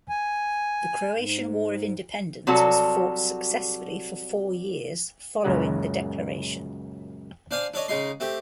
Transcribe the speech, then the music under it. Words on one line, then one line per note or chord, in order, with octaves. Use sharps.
The Croatian War of Independence was fought successfully for four years following the declaration.
G#5
G#2
C3 F#3 G3 F#4 A4
C#2 F#2 A#2 C#3 F#3 F#5
D4 C5 F5 G#5
D4 A4 C#5 D#5
C#3 G#3 D#4 C6
A3 C4 G4